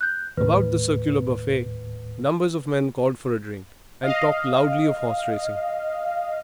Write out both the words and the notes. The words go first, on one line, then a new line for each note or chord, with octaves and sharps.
About the circular buffet numbers of men called for drink, and talked loudly of horse-racing.
F#6 G6
D#2 A2 B4
D#5 F5